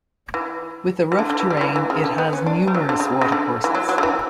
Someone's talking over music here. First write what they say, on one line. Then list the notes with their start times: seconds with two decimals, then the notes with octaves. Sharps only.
With a rough terrain, it has numerous water courses.
0.34 E3
1.12 E3
1.19 D3
1.30 D3
1.40 E3
1.50 G3
1.57 D3
1.61 E3
1.76 E3
1.90 C#3
2.04 D3
2.18 B3
2.33 C#4
2.46 D4
2.67 G3
2.75 F#3
2.89 D3
3.00 C#3
3.21 C#3
3.32 D3
3.64 E3
3.75 F#3
3.89 F#3
3.98 D3
4.03 E3